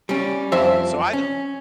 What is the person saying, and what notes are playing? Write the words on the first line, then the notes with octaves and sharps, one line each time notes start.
So, I don't
G3 C#4
F2 F3 C5 E5
C#4